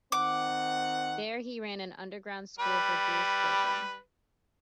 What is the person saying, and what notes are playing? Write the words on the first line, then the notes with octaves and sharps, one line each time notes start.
There he ran an underground school for Jewish children.
D#3 C4 F#5 D6
G3 B4